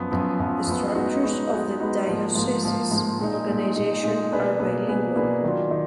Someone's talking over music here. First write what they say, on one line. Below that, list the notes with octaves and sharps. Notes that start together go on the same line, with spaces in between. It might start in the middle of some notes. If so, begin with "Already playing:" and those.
The structures of the diocese's organization are bilingual.
Already playing: F#2 F3 B3
F#2 F3 B3
F#2 F3 B3
F#2 F3 B3
G#3 B3 D#4 F#4
G#3 B3 D#4 F#4
G#3 B3 D#4 F#4
G#3 B3 D#4 F#4
G#2 F3 A#3
G#2 F3 A#3
G#2 F3 A#3
G#2 F3 A#3
A#2 G#3 D#4
A#2 G#3 D#4
A#2 G#3 D#4
A#2 G#3 D#4
B2 A#3 D4 G#4 B4
B2 A#3 D4 G#4 B4
B2 A#3 D4 G#4 B4
B2 A#3 D4 G#4 B4
D#3 F#3 D4 F4
D#3